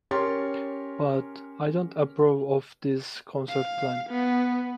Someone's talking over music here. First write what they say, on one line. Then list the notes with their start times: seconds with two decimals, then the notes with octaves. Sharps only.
But I don’t approve of this concert plan.
0.11 C#4 G4 A#4 C#5 C6 A6
3.49 F5
4.09 B3